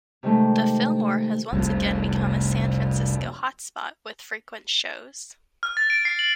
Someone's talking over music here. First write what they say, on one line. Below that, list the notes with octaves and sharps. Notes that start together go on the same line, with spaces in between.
The Fillmore has once again become a San Francisco hot spot with frequent shows.
C3 D#3 G#3 A3
F1 C2
F6
A6
D7
C7
F#7